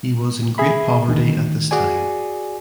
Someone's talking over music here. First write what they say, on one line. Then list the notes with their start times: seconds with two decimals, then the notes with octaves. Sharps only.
He was in great poverty at this time.
0.58 G#4 E5 B5
1.08 D2 D#3
1.71 F#4 G#4 D5 G#5